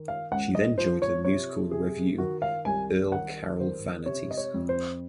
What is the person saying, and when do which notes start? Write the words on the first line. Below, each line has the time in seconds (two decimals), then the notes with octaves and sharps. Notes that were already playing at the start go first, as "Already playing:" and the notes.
She then joined the musical revue "Earl Carroll Vanities".
Already playing: D#3
0.08 F5
0.31 C#2 F#5
0.55 D#5
0.78 F3 C5
1.02 C#5
1.25 C3 C#5
1.71 C3 G#4
2.18 D#3 F#4
2.42 F5
2.65 C2 G#5
3.12 D#3 F#5
3.60 D#3 C5
4.06 C3 C#5
4.31 D#5
4.37 C#5
4.54 F2
4.69 C5